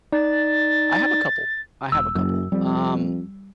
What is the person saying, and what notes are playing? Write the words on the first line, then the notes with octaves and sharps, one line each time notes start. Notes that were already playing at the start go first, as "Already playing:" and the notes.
I have a couple, I have a couple, um
D#4 D5 A6
E1 E6
F#1 F#2
F2 G3